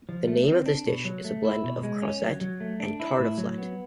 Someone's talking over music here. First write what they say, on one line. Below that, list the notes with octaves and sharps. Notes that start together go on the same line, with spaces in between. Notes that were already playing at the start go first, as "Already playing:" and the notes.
The name of this dish is a blend of "crozet" and "tartiflette".
F3
A3
C4
D4
B2
F#3
A3
E4
B2
G#3
C#4
F#3
F#3
A3
D4
E4
A2
F#3
B3